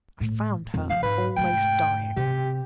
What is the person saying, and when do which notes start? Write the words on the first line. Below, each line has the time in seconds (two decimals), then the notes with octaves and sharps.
I found her almost dying.
0.20 A2
0.74 F2
0.90 C#3 F3 F5
1.03 G#2 B4
1.37 F1 G#2 G5
2.17 C3 G4